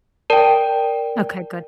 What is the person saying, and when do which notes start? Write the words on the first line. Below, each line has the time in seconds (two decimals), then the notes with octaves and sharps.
Okay, good.
0.30 A#4 D5 G5 A5